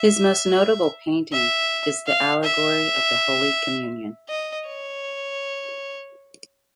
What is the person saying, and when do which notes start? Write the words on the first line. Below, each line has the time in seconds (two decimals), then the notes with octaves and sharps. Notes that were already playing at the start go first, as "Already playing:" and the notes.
His most notable painting is The Allegory of the Holy Communion.
Already playing: E5
1.32 E5
2.06 F5
2.43 E5
4.29 D#5
4.67 C#5